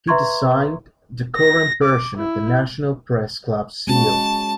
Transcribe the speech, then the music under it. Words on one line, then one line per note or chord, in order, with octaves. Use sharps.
He designed the current version of the National Press Club seal.
B4 E5 A#5 C6 C#6 G#6
A#6
D6
E4
G#3 C#4 F#4 A5